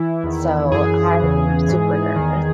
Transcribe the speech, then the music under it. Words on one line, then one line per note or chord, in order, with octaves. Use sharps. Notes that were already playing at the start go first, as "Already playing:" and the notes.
So, I am super nervous.
Already playing: E3 E4
E2 D#3
F#2 E3 G#4
E2 C#3 E3
G#2 E3
E2 D#3